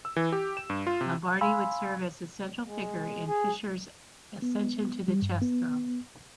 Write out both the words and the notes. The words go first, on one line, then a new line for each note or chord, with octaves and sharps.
Lombardy would serve as a central figure in Fischer's ascension to the chess throne.
E6
E3
G4
E7
G2
F4
C3
F5 G#5 B5 C6 E6
G#3
G#4
B3
G3
G2
B3